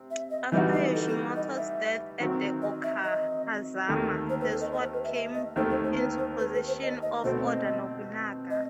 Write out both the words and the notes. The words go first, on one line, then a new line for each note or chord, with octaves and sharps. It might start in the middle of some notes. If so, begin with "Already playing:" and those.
After Yoshimoto's death at the Okehazama, the sword came into possession of Oda Nobunaga.
Already playing: C3 C4
E5
D#5
E3 G3 D#4 F#4 E5
D#5
A4
A4
D#5
E5
D#3 F#3 C4
D#5
E5
D#5
D#2 D#3 A3
C5
B4
A4
D#5
D#5
C5
B4
E5
E5
D#5
D#2 D#3 A3 C5
C5
C5
B4
C5
B4
B4
C5
D#5
D#5
B2 A3 C4 C5
D#5
D#5